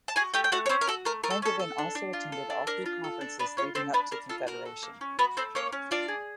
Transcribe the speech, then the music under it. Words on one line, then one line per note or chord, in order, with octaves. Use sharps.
Langevin also attended all three conferences leading up to Confederation.
A5
F#4 G#4 G#5
A3 G4 G5
G5
A3 F#4 F#5
C#5
C4 C#4 C5
A#4
F#4 A4
A3 A#4
A3 A#4
A4
C#4 A4
A4
D4
D4
F4
A4
D4
D4 A#4
F4
A4
D4
B3 D4 B4
C#4 F4 C#5
C4 A4 C5
B3 D4 B4
D4 A#4
F4 A4
F#4 A#4
A4
A#3
C#4
B3 F#4 B4
C4 A4 C5
A#3 C#4 C#5
C#4
D4 F4 D5
G#4